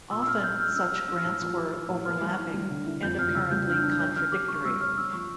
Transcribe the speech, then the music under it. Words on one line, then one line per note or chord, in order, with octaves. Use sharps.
Often such grants were overlapping and apparently contradictory.
A#2 E6
E6
C#4 F6
C#4 G6
C#4 F6
C#4 E6
G4 E6
C#4 E6
F6
A2 E6
F3
G4
G4
A2
A#3 F6
G3
E4
G3
D3
E4
F2 G6
F2 F6
C#3 E6
G3 G6
D4 F6
G6
D4
C#5 G6
C#4 F6
G4 D6
G4 C#6
G3 E6
C#5 F6
C#4 E6
F3 C#6